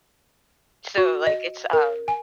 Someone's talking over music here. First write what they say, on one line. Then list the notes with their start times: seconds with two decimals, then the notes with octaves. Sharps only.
So like it's, um,
0.98 F#4
1.27 D#5
1.73 A#4
2.08 G#5